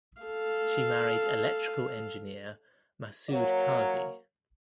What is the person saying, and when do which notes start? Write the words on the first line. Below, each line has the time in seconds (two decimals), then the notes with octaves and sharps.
She married electrical engineer Maqsood Kazi.
0.22 A4 F5
3.30 F#3 A#3 C#5